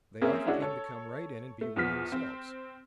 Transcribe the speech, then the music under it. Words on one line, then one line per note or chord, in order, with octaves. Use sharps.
They offered him to come right in and be one of themselves.
A#3 C4 C#4 G#4 A#4 E5
G#3 C#4 D4 E4 F#4
A4 C#5
A3
E2 F3 B3 F6 B6
C4